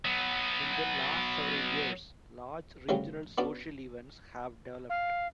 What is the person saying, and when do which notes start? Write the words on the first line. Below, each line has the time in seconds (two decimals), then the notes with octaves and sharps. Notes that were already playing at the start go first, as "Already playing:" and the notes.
In the last several years, large regional social events have developed.
0.05 F#3 B3
2.89 D2 C#3 F#3 G3 C#4
3.38 B3 C#4 D4 F#4 D5
4.89 F5